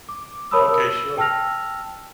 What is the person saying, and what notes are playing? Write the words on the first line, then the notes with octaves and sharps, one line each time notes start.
Okay, sure.
D6
A#4 C#5 A5 B5 D#6 E6
E6
G5 A5 E6 F6 A#6 F7